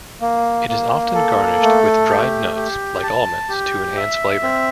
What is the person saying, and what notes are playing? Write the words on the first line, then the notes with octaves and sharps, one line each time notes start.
It is often garnished with dried nuts like almonds to enhance flavour.
A#3
A#3
A4
A3
G4
G4
A5
G4
E5
C4